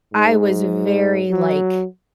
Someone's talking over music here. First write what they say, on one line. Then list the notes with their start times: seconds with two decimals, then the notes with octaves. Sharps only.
I was very, like,
0.14 G#2
1.31 F#3